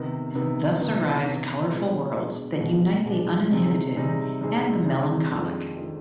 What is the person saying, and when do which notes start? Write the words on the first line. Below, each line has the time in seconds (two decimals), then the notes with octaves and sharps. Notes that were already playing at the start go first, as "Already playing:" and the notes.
Thus arise colorful worlds that unite the uninhibited and the melancholic.
Already playing: C3 D#3 B3 D#4
0.35 C3 D#3 B3 D#4
0.80 C3 D#3 B3 D#4
1.25 C3 D#3 B3 D#4
1.70 B2 G#3 B3 D4
2.16 B2 G#3 B3 D4
2.60 B2 G#3 B3 D4
3.06 B2 G#3 B3 D4
3.50 C3 G3 C4 D#4 G#4
3.96 C3 G3 C4 D#4 G#4
4.41 C3 G3 C4 D#4 G#4
4.85 C3 G3 C4 D#4 G#4
5.31 F2 D#3 G#3 D4 F4
5.76 D#3 G#3 D4 F4